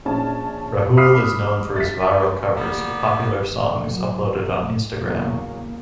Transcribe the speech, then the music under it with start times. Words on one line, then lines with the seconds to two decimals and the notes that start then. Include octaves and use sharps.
Rahul is known for his viral covers of popular songs uploaded on Instagram.
0.05 A#1 C#4 A5
0.97 B5 D6 D#6 F6 B6 C7
1.76 A6 B6
2.55 A2 G3 A#3 B3
3.51 D3
3.90 F#3
4.96 E2 C#3 F#3 A#3